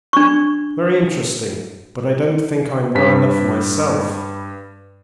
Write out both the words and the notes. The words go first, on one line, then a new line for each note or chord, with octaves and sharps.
Very interesting; but I don't think I'm well enough myself.
D4 C#6
G2 B4 B6